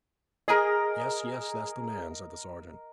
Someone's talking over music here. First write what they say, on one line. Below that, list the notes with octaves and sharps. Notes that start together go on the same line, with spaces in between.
'Yes, yes; that's the man,' said the sergeant.
G#4 A#4 D#5